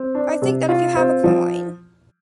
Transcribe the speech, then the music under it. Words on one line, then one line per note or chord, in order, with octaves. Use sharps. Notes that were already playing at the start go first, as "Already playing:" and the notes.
I think that if you have a coin.
Already playing: C4
D4
C3
F4
C4
F3